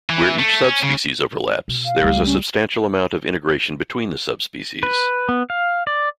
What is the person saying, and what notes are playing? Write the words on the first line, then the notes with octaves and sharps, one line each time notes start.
Where each subspecies overlaps there is a substantial amount of integration between the subspecies.
E3
A3
C#4
C#3
B2
F5
C#2 G3 A3
C#4
B4
B3
F5
D5